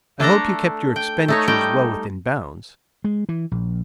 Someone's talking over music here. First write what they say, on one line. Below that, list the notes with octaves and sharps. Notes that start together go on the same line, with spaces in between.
"I hope you kept your expenditures well within bounds?"
A3 D4 A4 A#5
G5
A3 D#4 C#5
G3 D#4 G5
G#3
E3
A#1